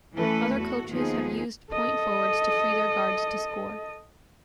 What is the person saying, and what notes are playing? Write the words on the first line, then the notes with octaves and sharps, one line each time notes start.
Other coaches have used point forwards to free their guards to score.
E3 A3 C#4 A4 B4
E2 F#4 A4
D#2 F3 B3 D#4 G#4
A4 D#5